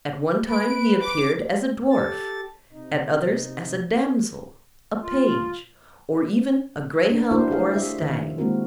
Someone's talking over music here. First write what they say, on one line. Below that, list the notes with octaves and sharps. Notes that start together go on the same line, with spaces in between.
At one time he appeared as a dwarf, at others as a damsel, a page, or even a greyhound or a stag.
B4 D7
D6
G4 A4 A6
C3 D#4
F4
D4 A#4
D4 E4 F#4 A#4 C5
A3 G4 G#4 F5
E5
D#3
G#3 A#3 C4 E4 F#4 A#4